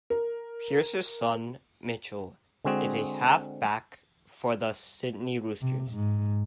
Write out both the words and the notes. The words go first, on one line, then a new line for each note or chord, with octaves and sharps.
Pearce's son, Mitchell is a half-back for the Sydney Roosters.
A#4
D3 G#3 C4 F#4 G#4
C3
G#2